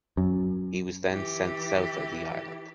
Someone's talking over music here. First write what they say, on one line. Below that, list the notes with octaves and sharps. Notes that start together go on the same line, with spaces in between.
He was then sent South of the island.
F#2
E3 G4